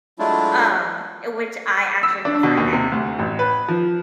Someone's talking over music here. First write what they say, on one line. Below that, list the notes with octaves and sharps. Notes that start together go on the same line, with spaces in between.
um, uh, which I actually prefer now
F#3 G#3 A3 D4 E4 F4
E6
D4
B2
D#2
C3
D2
A1
B4
F3